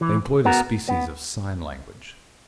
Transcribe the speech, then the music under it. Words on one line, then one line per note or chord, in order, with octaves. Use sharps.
They employed a species of sign language.
E3
B3 F#4 A#4
B3